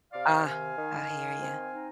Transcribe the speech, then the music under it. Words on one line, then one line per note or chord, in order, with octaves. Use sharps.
Ah, I hear you.
C3 D5 F5
D#3 F5 G#5
D#3
D#3
C4
D#4